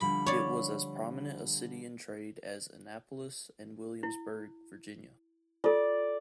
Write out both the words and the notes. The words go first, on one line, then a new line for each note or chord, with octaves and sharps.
It was as prominent a city in trade as Annapolis and Williamsburg, Virginia.
D3 F3 G3 B5
C#5 D5
E4
F4 A4 D5